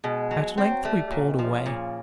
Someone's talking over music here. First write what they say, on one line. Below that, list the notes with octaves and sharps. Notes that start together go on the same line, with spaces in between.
At length we pulled away.
B2 G#3
F#3
G3 C4
F#3
G3 A3
G3
A#2 F#3
D#3
C3 F3
C#3
A#2